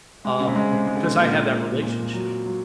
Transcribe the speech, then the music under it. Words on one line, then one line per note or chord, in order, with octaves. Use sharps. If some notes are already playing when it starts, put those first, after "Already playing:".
um, 'cause I have that relationship.
G#3
C#3
C3
G#3
C3
G#3
D3
A#2 D3
A#2
A#2
F#3
F#3